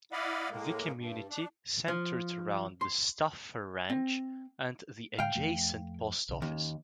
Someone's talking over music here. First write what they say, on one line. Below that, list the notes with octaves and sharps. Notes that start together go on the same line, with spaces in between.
The community centered around the Stauffer ranch and the adjacent post office.
E4 D5 D#5 F5 F#5 B5
A2 G#3 A#3
G2
D4
F3
C6
C4
A2 D3 G#3 F5 G5
F2 F3 A3
B1 C#3
D#2 C#4